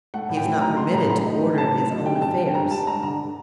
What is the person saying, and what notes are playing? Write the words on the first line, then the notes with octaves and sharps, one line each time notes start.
He is not permitted to order his own affairs.
A3 F#5
A2
G5
F#3
D#4 A#5
A3 C6
A2 A#5
F#3 A#5
D#4
A3
A2 A5
F#3
D#4
G3 G5
G2 A5
D3 G5
G2 A#5
G3 A5
G2 A#5
D3 A#5